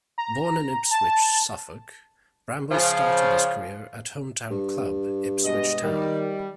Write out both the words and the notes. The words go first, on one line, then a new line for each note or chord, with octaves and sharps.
Born in Ipswich, Suffolk, Bramble started his career at home town club Ipswich Town.
A#5
A5
C#3 F3
G2
B2 G#3 D#5
D#3 G3